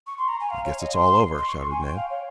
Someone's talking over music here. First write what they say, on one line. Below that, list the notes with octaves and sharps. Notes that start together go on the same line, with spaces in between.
"I guess it's all over," shouted Ned.
C#6
C6
A#5
G#5
F5
C#5
D#5
C6
C6
C#6
C#6
G#5
G5
F5
C#5